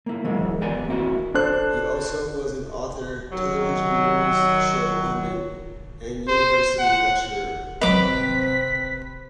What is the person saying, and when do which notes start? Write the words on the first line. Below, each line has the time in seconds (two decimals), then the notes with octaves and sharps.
He also was an author, television news show pundit, and university lecturer.
0.06 A#3 E4
0.24 E3 F#3 G#3 A#3 E4
0.61 E2 G4 B4 D5 G#5
0.88 A#3 C4 E4 F#4
1.34 D4 A4 C5 F#6
3.32 D#3 F#3
6.27 C5
6.79 F#5
7.81 G#1 C3 F#3 C4 B4 D#5 D6 B6